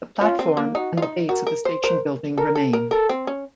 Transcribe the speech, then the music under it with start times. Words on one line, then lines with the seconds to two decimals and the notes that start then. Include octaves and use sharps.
The platform and the base of the station building remain.
0.21 C#4 F4
0.39 C4
0.57 A#3
0.75 D#4 F#4
0.97 F4
1.02 D#4
1.29 F#4 A#4
1.47 A#4
1.65 C5
1.83 A#4 C5
2.38 A4 A#4
2.55 A4
2.73 A#4
2.91 A4 A#4
3.09 C4
3.27 C#4